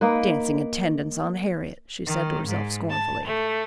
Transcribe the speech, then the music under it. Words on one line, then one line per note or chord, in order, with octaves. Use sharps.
"Dancing attendance on Harriet," she said to herself scornfully.
A#3 D#4 B4
D#3
G#2
A5
A3